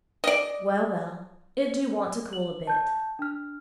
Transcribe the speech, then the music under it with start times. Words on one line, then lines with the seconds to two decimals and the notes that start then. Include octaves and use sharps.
'Well, well; it do want to cool a bit.
0.24 D5 D#5
2.33 F#7
2.67 A5 G6
3.19 D4 F6